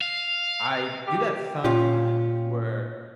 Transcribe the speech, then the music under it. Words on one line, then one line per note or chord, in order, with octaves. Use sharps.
I do that sometimes where
F5
G4
A#2 C#4 F4 G4